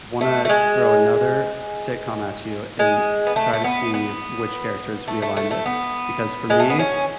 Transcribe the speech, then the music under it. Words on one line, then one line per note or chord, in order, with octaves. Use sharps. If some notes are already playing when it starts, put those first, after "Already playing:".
wanna throw another sitcom at you and try to see which characters we align with, because for me,
A3
A3
G#3
G#3
B3
A3
A3
B3
B3
A3
A3
A3
A3
B3
G#3
A3
B3
C#4